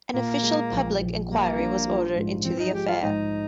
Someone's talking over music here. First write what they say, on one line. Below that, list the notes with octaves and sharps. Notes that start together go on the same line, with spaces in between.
An official public enquiry was ordered into the affair.
A#2 A#3
G#3
A#1
A#1
G3 A#3
D4
F4
G#2
F3 C4
D#4
G#3 G4
F4
G#2 D#4